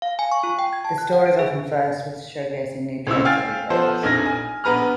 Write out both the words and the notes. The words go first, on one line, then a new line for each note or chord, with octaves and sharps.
The store is often first with showcasing new trends and new products.
F5
G#5
C#6
F4
G5
G#6
A5
F#6
F#5
D7
G#4
C#2 C4 E4 E6
F5 G5 G#5 F6 A6
F3 B3 A4 C5
F1 A#1 D#4 F6 G#6 A#6
G#5
A#1 B3 B4 A#5 F6